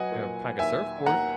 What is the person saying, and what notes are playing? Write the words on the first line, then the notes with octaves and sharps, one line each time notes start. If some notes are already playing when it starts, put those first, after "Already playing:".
Gotta pack a surfboard.
Already playing: F#3 B4 D#5 F#5 G#5
A#2
D#2 E5 G#5
D#2 F#5 A#5